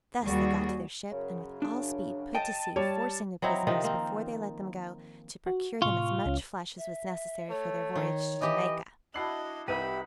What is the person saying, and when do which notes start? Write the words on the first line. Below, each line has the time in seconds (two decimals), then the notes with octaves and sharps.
Thus they got to their ship, and with all speed put to sea, forcing the prisoners, before they let them go, to procure them as much flesh as was necessary for their voyage to Jamaica.
0.24 D#2 G3 F#4 G#4
1.12 F#2 C#3
1.62 D4
2.35 D#5 G5 A5
2.76 G3 C#5 A5
3.42 F#3 C4 D#4 E4
3.67 C3 D#3 F3 D#4
3.84 A#3 C4
5.46 F#4
5.82 A2 C3 F4 C#6
6.26 C#2 C#4
6.78 E5
7.50 A3 C#5
7.96 D#3
8.41 E3 G4 D#5
9.14 D4 E4 F#4 D#5 A5 C7 F#7
9.68 C2 D#4 G4 B4 E5 B5 D#7